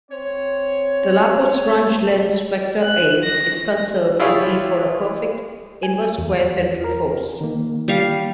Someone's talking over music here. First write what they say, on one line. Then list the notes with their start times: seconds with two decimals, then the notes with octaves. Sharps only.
The Laplace-Runge-Lenz vector A is conserved only for a perfect inverse-square central force.
0.12 C4 C5 C#5
2.82 F#6
3.24 A#6
4.20 E4 F4 G4 G#4 C#5 D5
5.83 G#5
6.18 E2
6.84 A#4
7.41 D#3 A#3
7.88 G3 F5